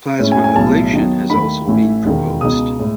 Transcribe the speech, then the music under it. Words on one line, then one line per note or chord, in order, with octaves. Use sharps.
Plasma ablation has also been proposed.
A2 G#3 C#4 E4
G#5
G#5
B1 A2 G#3 B3 E4 A5
D#2 D#3 F#3 B3 D#4
D#2 D#3 A3 B5
A1 A2 E3 A3 E4
E1 D#2 D#3 G#3
C#2 B2 G#3 D#4 D#6
A2 G#3